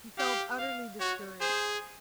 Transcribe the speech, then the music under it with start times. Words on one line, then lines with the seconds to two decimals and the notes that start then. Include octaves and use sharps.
He felt utterly discouraged.
0.18 G4 F5
0.59 F5
0.99 F#4 C#5
1.41 G#4 C5